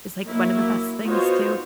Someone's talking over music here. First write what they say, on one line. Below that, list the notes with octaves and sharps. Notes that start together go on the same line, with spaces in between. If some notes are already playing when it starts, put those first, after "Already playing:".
is, like, one of the best things, too?
F#3 A#3 E4
B3 D#4 F4 F#4 C5 C#5